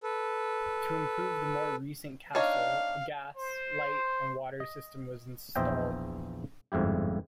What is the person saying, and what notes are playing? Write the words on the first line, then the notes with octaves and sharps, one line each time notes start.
To improve the more recent castle, a gas, light, and water system was installed.
A4 B4
D4 D#4 C#5 F5
C5
D#5
A#1 E2 C5 D#5 E5 G5
G1 F2 G#2 E4 G4